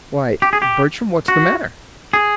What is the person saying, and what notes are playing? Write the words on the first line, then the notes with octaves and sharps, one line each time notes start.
"Why, Bertram, what's the matter?"
G4
G#4
G4
F#4
G#4